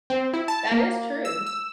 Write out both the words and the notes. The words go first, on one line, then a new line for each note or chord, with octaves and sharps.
That is true.
C4
E4
A5
A#3
E6
E6